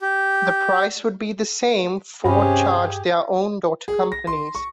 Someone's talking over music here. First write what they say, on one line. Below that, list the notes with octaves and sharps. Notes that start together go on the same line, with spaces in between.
The price would be the same Ford charged their own daughter companies.
G4
G2 C3 C#4 G4 G#4 B5
G#4
A#6
C6
C#6